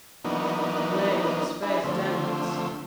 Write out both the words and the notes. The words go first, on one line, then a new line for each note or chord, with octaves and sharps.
He lay with his face downwards.
E3 F#3 A#3 B3 D4 D#4
D4 E4 G#4 B4
D3 F3 A3 C4